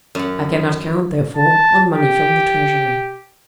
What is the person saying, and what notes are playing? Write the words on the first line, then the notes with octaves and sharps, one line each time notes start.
"I cannot count, therefore, on money from the treasury."
F#2 F#5
A5
G4